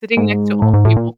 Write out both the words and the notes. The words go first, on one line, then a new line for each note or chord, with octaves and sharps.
Sitting next to old people.
G#2
A2
G#2
A2
A#2